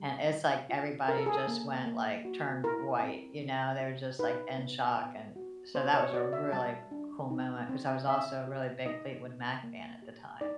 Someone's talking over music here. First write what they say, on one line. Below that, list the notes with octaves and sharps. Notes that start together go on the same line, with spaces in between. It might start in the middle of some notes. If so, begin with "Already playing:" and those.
And it's like everybody just went, like turned white, you know? They were just, like, in shock, and so that was a really cool moment 'cause I was also a really big Fleetwood Mac fan at the time.
Already playing: G3
G3
F4
C#4 A#4
A4
G#4
A4
A#3
A#3
F#4
E4 A#4
C4
C4
G4
D#4 B4
B3
B3
F#4
B3 C5
C#5
F#4 D5
E5
G3 A5
D4
D#4
C4
C4 E5
G4
D#4 D#5
A#3
A#3
G4
D#4 D5